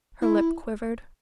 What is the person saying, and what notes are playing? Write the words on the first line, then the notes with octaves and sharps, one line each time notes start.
Her lip quivered.
E4